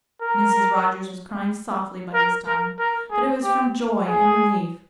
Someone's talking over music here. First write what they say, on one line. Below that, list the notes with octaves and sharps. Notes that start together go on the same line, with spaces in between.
Mrs. Rogers was crying softly by this time, but it was from joy and relief.
A#4
A#4
A#4
A#4
G#4
G4
G#4